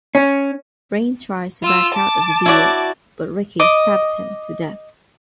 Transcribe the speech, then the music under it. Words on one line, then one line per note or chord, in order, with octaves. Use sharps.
Reign tries to back out of the deal but Ricky stabs him to death.
C#4
F4 E6
A5 D6
E4 F#4 D5
D#5 D6